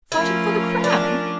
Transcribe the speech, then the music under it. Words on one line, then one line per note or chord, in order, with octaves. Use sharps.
'Fighting for the crown?'
F3 A3 C#4 E4 F4 A#4
D4